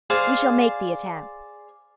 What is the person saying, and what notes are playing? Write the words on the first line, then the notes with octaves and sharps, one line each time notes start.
We shall make the attempt.
G#4 C5 D5 F5